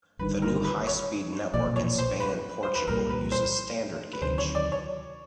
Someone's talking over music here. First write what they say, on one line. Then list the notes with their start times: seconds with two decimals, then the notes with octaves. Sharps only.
The new high-speed network in Spain and Portugal uses standard gauge.
0.19 G1 G2 D#3 B4
0.42 A#4
0.65 B4
0.87 C#5
1.54 B1 A#2 F3 D5
1.76 C#5
1.98 C5
2.20 B4
2.63 C5
2.75 B4
2.87 C2 A#2 G3 A#4
3.10 B4
3.32 C5
4.13 B4
4.22 D2 C3 D#3 F#3 C5
4.38 C#5
4.55 D5
4.72 C#5